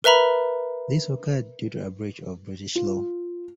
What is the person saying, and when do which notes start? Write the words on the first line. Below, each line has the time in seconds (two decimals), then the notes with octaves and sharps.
This occurred due to a breach of British law.
0.04 A#4 B4 E5 A#5 B5
2.75 F4